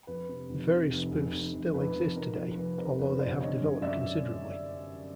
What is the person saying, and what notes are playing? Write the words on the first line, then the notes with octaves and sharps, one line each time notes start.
Various spoofs still exist today, although they have developed considerably.
F2 B4
C3
F1
C3
F1
F1
F1
F1
F2 B4
F1
F2 A#4
F2
F1 B4
C3 A#4 C5
F1 B4 C#5
C3 C5 D5
G1 C#5 D#5
F#2
F#2 D5 E5